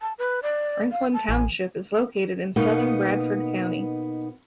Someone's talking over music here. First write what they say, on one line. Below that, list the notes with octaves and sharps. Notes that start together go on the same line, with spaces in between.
Franklin Township is located in southern Bradford County.
A5
B4
D5
F5
A5
A1 G#5
B2 A#3 B3 D#4